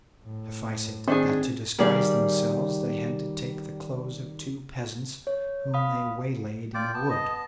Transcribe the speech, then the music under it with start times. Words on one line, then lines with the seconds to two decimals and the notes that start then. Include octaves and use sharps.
Suffice it that to disguise themselves they had to take the clothes of two peasants, whom they waylaid in a wood.
0.24 A2
1.08 D#3 C4 D4 G#4
1.79 D#3 G3 G#4 D5 F5
5.27 C#5
5.74 F5 B5 D#6
6.74 F4 D5 G5 D6
6.94 B3 A5
7.10 D#5